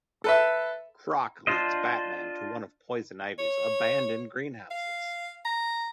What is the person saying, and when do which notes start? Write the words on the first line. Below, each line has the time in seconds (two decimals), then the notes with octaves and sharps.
Croc leads Batman to one of Poison Ivy's abandoned greenhouses.
0.24 A4 B4 E5
1.47 D4 F4 C5 D#5
3.38 C#5
4.71 F5
5.45 A#5